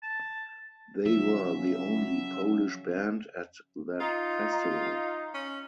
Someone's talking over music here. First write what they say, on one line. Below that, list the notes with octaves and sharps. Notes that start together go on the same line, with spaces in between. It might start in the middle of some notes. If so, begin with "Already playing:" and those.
They were the only Polish band at that festival.
A5
C#3 F3 F#3 C#4 E5
D#4 F4
D#4
C#4